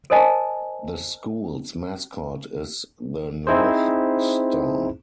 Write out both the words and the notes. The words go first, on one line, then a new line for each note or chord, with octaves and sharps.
The School's mascot is the North Star.
A4 A#4 C5 D#5 G#5 A5
C4 D#4 E4 G#4 C5